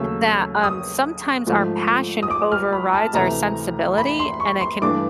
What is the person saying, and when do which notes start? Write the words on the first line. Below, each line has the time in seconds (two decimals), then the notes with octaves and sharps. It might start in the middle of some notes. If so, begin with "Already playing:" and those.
that, um, sometimes our passion overrides our sensibility, and it can
Already playing: D#2 C#3 F#3 A3 C#4 E6
0.64 D#6
1.47 G#2 F3 A3
2.23 D#6
2.31 D6
2.52 F6
2.73 B5
2.93 A5
3.14 D2 C3 E3 A3 A#5
3.98 B5
4.19 C6
4.40 C#6
4.60 C6
4.82 G2 E3 A3 D4 D6